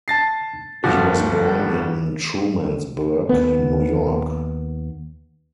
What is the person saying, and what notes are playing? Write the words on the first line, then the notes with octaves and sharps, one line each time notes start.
He was born in Trumansburg, New York.
A5 A6 C7
G1 G2 F3 G3 F#4
D#2 B3